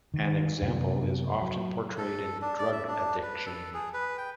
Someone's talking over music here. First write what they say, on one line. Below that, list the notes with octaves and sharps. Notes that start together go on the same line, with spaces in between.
An example is often portrayed in drug addiction.
D#3
F#2 C3 A3 B3
F#3
A4
D4
D5
E5
D4
B4
A4
G#4
B4
G5